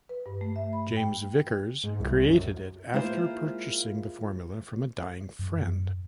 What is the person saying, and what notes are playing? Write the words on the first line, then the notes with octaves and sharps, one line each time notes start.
James Vickers created it after purchasing the formula from a dying friend.
B4
G2
A3
E5
B5
G5
G#2
C2
F#2
G#3 A#3 E4 F4 C5
F#2